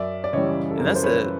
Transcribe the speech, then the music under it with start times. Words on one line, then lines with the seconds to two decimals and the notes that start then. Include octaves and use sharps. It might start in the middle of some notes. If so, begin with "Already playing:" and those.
and that's a
Already playing: F#2 D5 E5
0.24 D5
0.33 C#3 E3 G3 C#5 D#5
0.71 A4
0.79 F#2 A#4
0.87 B4
0.96 C5
1.03 B4 C#5